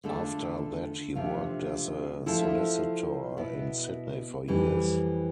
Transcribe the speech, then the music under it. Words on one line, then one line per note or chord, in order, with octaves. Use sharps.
After that he worked as a solicitor in Sydney for years.
D3 A3 D4 F4 A4
C3 F3 A3 D4 F4
F3 A3 E4 A4
B2 B3 E4
F2 E3 G3